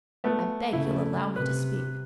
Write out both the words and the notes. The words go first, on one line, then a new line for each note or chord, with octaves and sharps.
I beg you'll allow me to speak.
A3 B3
C#3 A3 E4
C3 B4